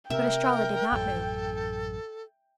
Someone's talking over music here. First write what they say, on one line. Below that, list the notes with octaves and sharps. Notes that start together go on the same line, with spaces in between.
But Estralla did not move.
C3 A#4 E5 G5
A1 F#2 A4